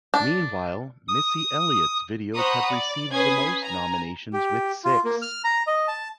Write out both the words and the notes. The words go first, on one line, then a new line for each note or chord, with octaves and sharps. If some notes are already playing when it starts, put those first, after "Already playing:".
Meanwhile, Missy Elliott's videos have received the most nominations with six.
D4
D#6
C5 F#5 A#5 B5 C#6 D#6
D5
C#4 B4 G#5 D#6 G#6 C7
G#5 A#5
G4
F4
A#3
F6
A#5
D#5
A5